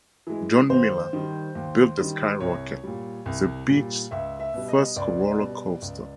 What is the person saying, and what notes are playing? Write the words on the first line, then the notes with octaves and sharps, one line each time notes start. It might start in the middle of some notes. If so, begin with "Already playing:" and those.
John Miller built "The Sky Rocket," the beach's first roller coaster.
E3 G#3
D#2 C5
D#3 G3
D#2
D#3 G3
C2 C#5
A#2 G3
C2
A#2 G3
C#2 E5
E5
B2 G3
D#5
C#2 D5
B2 G3
C#2